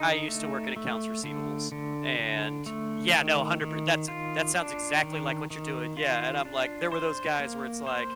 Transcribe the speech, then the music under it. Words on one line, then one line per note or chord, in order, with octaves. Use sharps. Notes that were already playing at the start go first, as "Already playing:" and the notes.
I used to work in accounts receivables and Yeah, no, a hundred per that's a that sounds exactly like what you're doing, yeah, and I'm like, there were those guys where it's like,
Already playing: D3 D#4
A3
A3
D3
D3
D3
A3
D#3
D#3
F4
D4
D#3
D#3
F4
D4
C5
A#3
C5